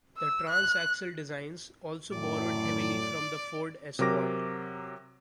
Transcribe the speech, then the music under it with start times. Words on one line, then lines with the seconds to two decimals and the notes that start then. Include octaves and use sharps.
The transaxle designs also borrowed heavily from the Ford Escort.
0.17 E6
0.50 F#6
2.12 F#2 A2 D5
3.99 C3 F#3 A#4 D6 A#6